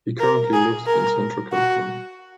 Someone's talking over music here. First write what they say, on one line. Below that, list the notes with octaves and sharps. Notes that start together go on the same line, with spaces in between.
He currently lives in central California.
A#4
G#4
A#4
F#4